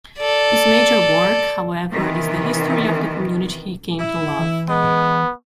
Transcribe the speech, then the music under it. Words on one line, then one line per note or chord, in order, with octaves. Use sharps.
His major work, however, is the history of the community he came to love.
A4 D5
C3 D#3 E3 B3
E4
E3
G#3 B3